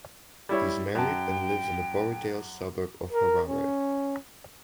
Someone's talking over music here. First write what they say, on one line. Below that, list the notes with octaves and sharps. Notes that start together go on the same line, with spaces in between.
He is married and lives in the Borrowdale suburb of Harare.
G3 E4 C#5
F#2 G5 A5
A#4
C#4